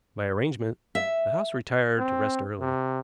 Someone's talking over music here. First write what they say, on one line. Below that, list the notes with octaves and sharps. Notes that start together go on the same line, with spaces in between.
By arrangement, the house retired to rest early.
E5
C4
C3